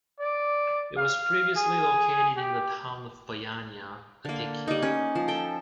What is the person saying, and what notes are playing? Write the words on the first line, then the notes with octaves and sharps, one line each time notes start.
It was previously located in the town of Paiania, Attiki.
D5
F5
G#4
G4
D3 A#3
G3 D#4
C#4
F3
A4 G5